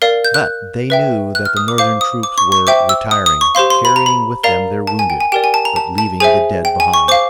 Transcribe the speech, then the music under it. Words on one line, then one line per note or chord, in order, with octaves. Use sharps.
But they knew that the Northern troops were retiring, carrying with them their wounded, but leaving the dead behind.
A#4 D5 F5
G6
F#6
B4 E5 G5
F#6
F6
D#6
D6
C5 F5 D6
D#6
D6
C#6
C#6
C5 E5 G5 D6
E6
D#6
D#6
C#6
G4 C5 F5 C6
C6
B5
A#5
B5
A#4 D5 F5 A#5
A5
G#5
G5
G#5
G4 A#4 D5 G5
G#5
A5
A#5
A5
A5
G#4 C5 E5 G#5
G5
G#5
C#6
C5 F5 D6